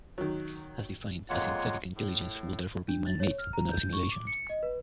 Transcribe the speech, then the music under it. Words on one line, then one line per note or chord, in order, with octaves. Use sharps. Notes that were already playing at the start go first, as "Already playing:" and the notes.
As defined, a "synthetic intelligence" would therefore be man-made, but not a simulation.
D#3 F#3
F2 G#3 A#3 F4 C#5 F#5
A2
D4
A6
C#5
F6
A#5
G6
C#6
D6
C#7
D#5
B4